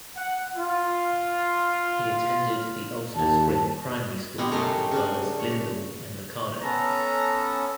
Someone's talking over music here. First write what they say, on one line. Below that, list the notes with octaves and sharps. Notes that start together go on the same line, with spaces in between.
He attended the Ulster Spring primary school with brothers Lindel and Ricardo.
F#5
F4
D#2 A5
B2 E4 G4 C6
F#2 A3 D#4 G4 C5 C#5
C#3 D4
C#5
B3 C#4 A4 A#5